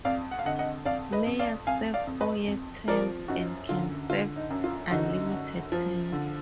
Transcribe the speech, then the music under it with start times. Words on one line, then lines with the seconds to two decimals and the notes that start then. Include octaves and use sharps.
Mayors serve four-year terms and can serve unlimited terms.
0.05 F2 D5 F5
0.31 F#5
0.39 F5
0.45 D3 D#5 F#5
0.59 D#5 F#5
0.85 F2 D5 F5
1.12 B4 D#5
1.26 F2
1.39 D5 F5
1.67 F2 F5 G#5
1.94 D5 F5
2.07 F2
2.21 B4 D#5
2.48 F2
2.88 F3 A#4 D5
3.28 F#2 D#4 F#4
3.69 D3 F4
4.09 D3 F4
4.36 D#4
4.50 F#2
4.64 F4
4.90 D3 D#4 F#4
5.31 F#2
5.72 F3
6.12 D3